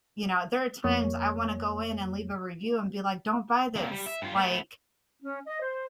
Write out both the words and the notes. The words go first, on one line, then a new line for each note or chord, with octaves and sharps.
you know, there are times I wanna go in and leave a review and be like, "Don't buy this." like,
F2 A#3 C#5
A#3 C4
G3
E5
G2 F4
A3 B3
C#4
D#5
C5